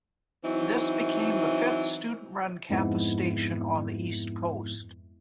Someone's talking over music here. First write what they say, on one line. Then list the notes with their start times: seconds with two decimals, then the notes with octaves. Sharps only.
This became the fifth student-run campus station on the east coast.
0.45 E3 F#3 C4 D#4 E4
2.70 F2 G#2 G#3 B3 E4